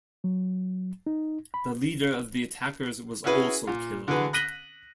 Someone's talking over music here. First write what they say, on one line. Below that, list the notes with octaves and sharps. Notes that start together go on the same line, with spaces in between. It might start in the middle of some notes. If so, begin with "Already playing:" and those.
The leader of the attackers was also killed.
F#3
D#4
B5
C#4 E4 F#4 G#4 B4
A#2
D3 E3 F#4 G#4 B4
F#6 A#6 B6 D#7 F#7 G7